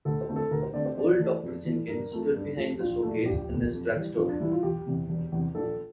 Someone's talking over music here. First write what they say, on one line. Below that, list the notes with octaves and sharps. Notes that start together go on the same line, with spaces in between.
Old Dr. Jenkins stood behind the showcase in his drugstore.
D2 A4
C5
D3 A3 C4
A4
D2 A#4
C5
D3 A3 C4 D5
C5
F2 D5
E3 A3
F2
E3 A3
G2 A#4
F3 A3 C4
G2
F3 A3 C4
A#1 F4
A#2 F3 A3
A#1 G4
A#2 F3 A3
F2
E3 G3
F2 F4
D4
E3 G3 E4
F4
E1 G4
E2 C3
E1
E2 C3
A#1 A4